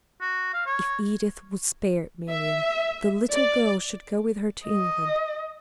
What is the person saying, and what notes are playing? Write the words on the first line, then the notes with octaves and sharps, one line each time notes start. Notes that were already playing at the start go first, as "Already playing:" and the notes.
If Edith would spare Miriam, the little girl should go with her to England.
F#4
F5
C#5
E5
D5
D#5